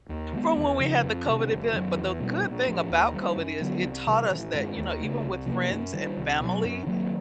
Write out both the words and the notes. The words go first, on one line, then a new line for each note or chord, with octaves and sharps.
from when we had the COVID event. But the good thing about COVID is it taught us that, you know, even with friends and family,
D#2
D#3 G#3 B3
E2
C#3 F3
F2
C3 D#3
F#1
F#2 D#3
E2
B2 G3
A#1
A2 F3
D#2
D#3 G3
F#2
D3 F#3 B3
C2
C3 D#3 G3
A1
G2 D#3 G#3
D#2
C#3 E3 A3
C2
C3 F3 A#3
F#2
D#3 G3
C2
B2 F#3
F#2
D#3 F#3 A#3